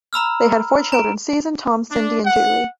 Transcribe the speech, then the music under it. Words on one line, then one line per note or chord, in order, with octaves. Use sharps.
They had four children: Suzan, Tom, Cindy, and Julie.
A#5 B5 E6 F6
A#5 D7
D4
F#5